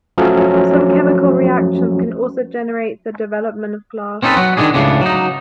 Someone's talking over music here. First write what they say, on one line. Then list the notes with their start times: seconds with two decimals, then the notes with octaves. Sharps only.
Some chemical reactions can also generate the development of glass.
0.18 F3 F#3 A3 C#4
4.23 C4 C#4 D#4 G#4 A4 B4
4.37 F#3 F#4
4.57 D3 D#3 F#3 G#3 D4 G#4
4.74 C#2 A2 C#3 D4
5.01 F#3 D#4